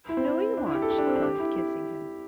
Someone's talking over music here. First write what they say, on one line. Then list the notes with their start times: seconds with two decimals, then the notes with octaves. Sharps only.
"No, you aren't," she cried, kissing him.
0.09 E4
0.17 C4
0.25 E4
0.57 D4
0.66 E4
0.74 G4
0.82 A4
0.90 G4
0.98 D4
1.07 C4
1.15 D4
1.23 G4
1.39 E4
1.56 E4